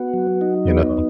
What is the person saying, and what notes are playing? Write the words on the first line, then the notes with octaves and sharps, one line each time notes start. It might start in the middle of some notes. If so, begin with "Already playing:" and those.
you know?
Already playing: B3 F#4
F#3
D#4
B3